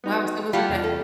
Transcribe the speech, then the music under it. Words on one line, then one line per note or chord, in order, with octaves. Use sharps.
Wow, so it was like a
B3 D#4 F#4
G3 F4 G4 D5 F#5 A5
E2 C3
A4